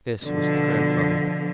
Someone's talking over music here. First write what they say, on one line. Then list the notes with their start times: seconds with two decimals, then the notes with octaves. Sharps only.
This was the grandfather.
0.21 B2 D3 F3